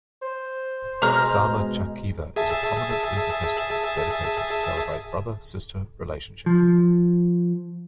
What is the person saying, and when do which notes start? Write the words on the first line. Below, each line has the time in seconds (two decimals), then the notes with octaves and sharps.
Sama Chakeva is a prominent winter festival dedicated to celebrate brother sister relationship.
0.22 C5
1.02 B2 G#3 A#5 F6
2.36 G#4 E5 A5
6.46 F3